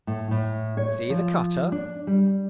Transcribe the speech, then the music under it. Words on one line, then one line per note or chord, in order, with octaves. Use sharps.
"See the cutter?"
A2
A2
C#5
F3
D4
G3